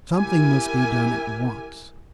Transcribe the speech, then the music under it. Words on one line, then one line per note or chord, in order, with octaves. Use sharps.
Something must be done at once.
E4 G4 A#4 G#5